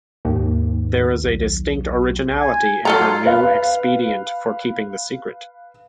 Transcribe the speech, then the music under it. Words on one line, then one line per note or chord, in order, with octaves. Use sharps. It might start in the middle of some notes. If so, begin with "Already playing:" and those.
There is a distinct originality in her new expedient for keeping the secret.
D#2 G#2
B1
G#5
F#3 F4 A4 A#5
B4 F5